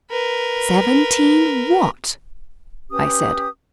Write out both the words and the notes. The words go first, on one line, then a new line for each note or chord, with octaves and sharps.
"Seventeen what?" I said.
A#4 B4
C#4 G4 B4 D#6